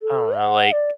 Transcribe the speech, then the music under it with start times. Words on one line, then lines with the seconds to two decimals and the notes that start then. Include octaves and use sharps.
I don't know, like,
0.02 A4
0.37 F#5
0.72 D5